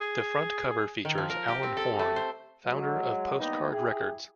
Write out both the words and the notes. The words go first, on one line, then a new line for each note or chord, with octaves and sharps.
The front cover features Alan Horne, founder of Postcard Records.
G#4
D#3
F3
A#4
G4
C4
A4
A3
C5
F#3 G#3
G2 G3 A#3 B3 D#4
E4 G4 G#4